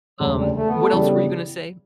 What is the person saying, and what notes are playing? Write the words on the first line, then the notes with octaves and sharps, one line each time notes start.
Um, what else were you gonna say
E1 D2 C#3 F#3
G3
A3
B3
A3
C#3 E3 G3 B3 D4